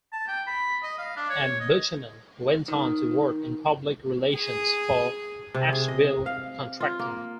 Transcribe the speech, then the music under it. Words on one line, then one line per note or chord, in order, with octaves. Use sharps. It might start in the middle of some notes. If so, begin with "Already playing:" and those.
And Buchanan went on to work in public relations for Asheville Contracting.
A5
G5
B5
D#5
F5
D4
C#5
D#5
D#3
G#4
C3
G#4
D#5
F5
F4
A#3